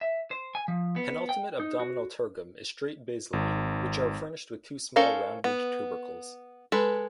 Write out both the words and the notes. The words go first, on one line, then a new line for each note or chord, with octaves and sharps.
Penultimate abdominal tergum is straight basally which are furnished with two small rounded tubercles.
E5
C5
G#5
F3
B3
G5
D#4
F#4
G#1
C#4 A4 A#4 C5 F5
B3
G#3 A4 B4